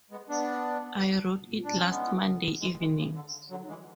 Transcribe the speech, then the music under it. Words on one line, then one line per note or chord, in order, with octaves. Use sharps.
I wrote it last Monday evening.
G#3 B3
B3 D4
D4
C#4
G#3 B3
E3 G#3
E3 G#3
C#3
D3
D3 F#3
E3 G#3